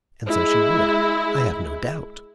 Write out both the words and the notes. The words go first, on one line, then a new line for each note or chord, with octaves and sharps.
And so she would, I have no doubt.
G#3 E4